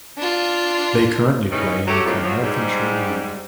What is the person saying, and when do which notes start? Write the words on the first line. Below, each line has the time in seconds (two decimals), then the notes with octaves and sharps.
They currently play in the Carmarthenshire League.
0.18 D4 F4
1.51 E2 B2 D#3 E3 C#4 D#4
1.87 F#3 A3 G4
2.06 F2 A2 D3 D#3 A#3 D4
2.22 F3 F#3
2.41 G#2 G3